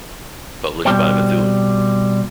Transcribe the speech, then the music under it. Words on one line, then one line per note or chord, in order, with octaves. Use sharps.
Published by Methuen.
B2 G3 C4